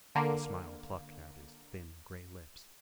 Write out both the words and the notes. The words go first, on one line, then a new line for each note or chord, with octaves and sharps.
A smile plucked at his thin, gray lips.
D3 A#3